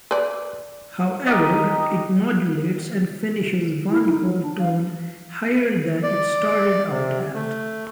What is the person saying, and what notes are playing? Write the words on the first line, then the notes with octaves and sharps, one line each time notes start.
However, it modulates and finishes one whole tone higher than it started out at.
B4 D5
D#4 G4 D#5
E4
D#4
F#3
D4
F5
D5
C3
A3